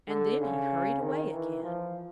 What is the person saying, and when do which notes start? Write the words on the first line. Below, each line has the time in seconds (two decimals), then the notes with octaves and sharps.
And then he hurried away again.
0.08 D3
0.40 C#3
1.02 D#3
1.33 E3
1.63 F3